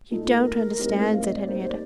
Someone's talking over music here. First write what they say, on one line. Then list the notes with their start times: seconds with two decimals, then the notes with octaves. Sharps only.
"You don't understand," said Henriette.
0.11 A#2 A3 D#4 F4 A4
0.22 F4
0.34 A#4
0.79 A2 A3 C4 D#4 G4
1.13 F5
1.25 D#5
1.36 D5
1.47 G3 A#3 D#4 A#4 C5
1.59 C5
1.70 D5